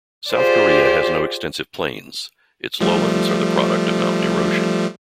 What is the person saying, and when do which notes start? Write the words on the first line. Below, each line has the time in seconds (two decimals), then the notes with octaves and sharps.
South Korea has no extensive plains; its lowlands are the product of mountain erosion.
0.31 F4 G4 G#4 C5 D5
2.81 F3 G3 A3